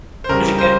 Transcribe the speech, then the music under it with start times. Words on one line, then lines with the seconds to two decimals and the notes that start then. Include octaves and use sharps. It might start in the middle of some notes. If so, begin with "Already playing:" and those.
Is it good?
0.24 C5
0.29 C#2 C#3 G3 A#4
0.58 C5